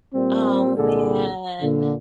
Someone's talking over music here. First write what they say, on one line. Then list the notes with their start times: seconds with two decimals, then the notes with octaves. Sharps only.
Oh, man.
0.14 A#2 G3 C4
0.77 C2 A#2 D3 G#4 A4
1.62 A#2 D3